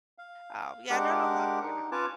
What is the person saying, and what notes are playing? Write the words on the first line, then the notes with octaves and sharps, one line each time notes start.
um, yeah, I've got a lot going on.
F5
G#3 D4 G4 A#4 F#5 D6
D#4
C#4 F4 B4 C#5 A5 D6